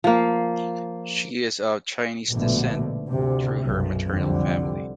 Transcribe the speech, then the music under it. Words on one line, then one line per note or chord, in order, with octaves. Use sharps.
She is of Chinese descent through her maternal family.
F3 A#3
A#1 G#2 B2 D3 A3
D2 C3
B1 F#2
C2 F2 D3 G3